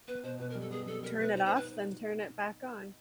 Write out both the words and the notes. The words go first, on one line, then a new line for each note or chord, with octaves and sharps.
Turn it off, then turn it back on.
B3 B4
B2 C5
B2 B4
A#4
G3
A4
B3 G#4
G3 A4
G3 A#4
B3 B4
D#4 C5
C5
D#4 B4